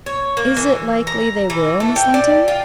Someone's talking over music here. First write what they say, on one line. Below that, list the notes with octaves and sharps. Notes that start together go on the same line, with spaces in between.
"Is it likely they will, Miss Linton?"
C#5
A#3
E3
A#5
E3
A3
G5
D5
F4